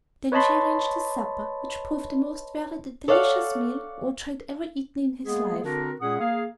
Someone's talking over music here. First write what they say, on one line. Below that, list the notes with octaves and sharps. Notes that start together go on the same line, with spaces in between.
Then she arranged his supper, which proved the most varied and delicious meal Ojo had ever eaten in his life.
B4 C#5 D#5 A5 B5 C6
A4 C#5 D5 F5 F#5
G#3 A#3 B3 G#4
D3 C4 D4 F#4 A#4
A#2 G#3 C#4 G#4 F#5 D#6
A#3 G#4 F5